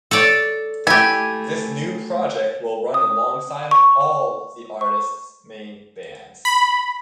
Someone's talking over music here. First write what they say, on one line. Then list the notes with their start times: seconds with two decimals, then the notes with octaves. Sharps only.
This new project will run alongside all the artists' main bands.
0.11 A4 C#5 D5
0.87 A3 E4 G4 G#5
2.94 D#6
3.71 C#6
4.81 C#6
6.45 B5